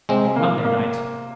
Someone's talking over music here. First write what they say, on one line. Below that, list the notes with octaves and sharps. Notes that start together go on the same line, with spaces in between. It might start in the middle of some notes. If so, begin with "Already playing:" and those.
Monday night?
C3 G#3 C4
A#3
A#3